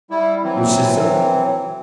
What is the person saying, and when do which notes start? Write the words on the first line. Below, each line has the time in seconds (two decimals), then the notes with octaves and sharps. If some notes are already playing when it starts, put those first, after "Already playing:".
"Your sister?"
0.11 G3 E4
0.43 E3 F#3 C4